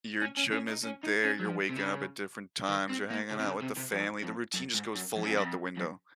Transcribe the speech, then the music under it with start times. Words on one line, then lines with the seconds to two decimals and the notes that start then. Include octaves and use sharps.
Your gym isn't there, you're waking up at different times, you're hanging out with the family, the routine just goes fully out the window.
0.22 C#4
0.37 C#4
0.53 C#4
0.68 D#4
0.84 C#4
1.04 D#4
1.25 C#4
1.40 F#3
1.45 F3
1.69 C3
1.76 C#3
2.68 D#3
2.89 C4
3.10 A#3
3.31 C#3
3.39 C3
3.46 C#3
3.61 C3
3.77 C3
3.92 F2
4.23 F2
4.54 F#2
4.74 G#2
4.95 F#2
5.16 F2
5.23 F#2
5.30 F2
5.37 F#2
5.44 F2
5.77 F#2